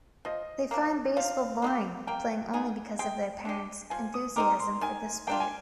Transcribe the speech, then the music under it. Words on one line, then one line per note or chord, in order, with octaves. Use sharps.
They find baseball boring, playing only because of their parents' enthusiasm for the sport.
F3 D#5
A#3 D4
F3 F5
A#3 D#4 G4
A#3 G5
D#4 G#4
G#3 G5
D4 G4
F3 G#5
D#6
C4 D#4 A#4 D6
C6
D#3 G#5
A#3 D4 F4 G5
G#5